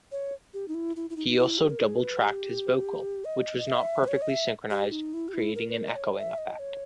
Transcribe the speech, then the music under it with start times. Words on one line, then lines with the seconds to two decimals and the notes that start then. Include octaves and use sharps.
He also double-tracked his vocal, which was not perfectly synchronised, creating an echoing effect.
0.12 C#5
0.54 G4
0.68 D#4
0.74 E4
0.96 E4
1.10 E4
1.16 D#4
1.28 D#4
1.38 E4
1.58 G4
1.70 A#4
1.79 G#4
2.01 B4
2.20 G4
3.25 D#5
3.58 D#5
3.68 E5
4.04 B4
4.08 C#5
4.22 D#5
4.29 E5
4.71 G4
4.92 D#4
5.14 E4
5.28 G4
5.34 E4
5.55 A#4
5.70 B4
5.76 A#4
5.89 D#5
5.96 C#5
6.18 E5
6.38 D#5
6.59 C#5